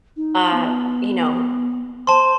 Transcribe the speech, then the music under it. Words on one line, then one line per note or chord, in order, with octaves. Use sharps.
uh, you know
D#4
B3
C5 A5 C6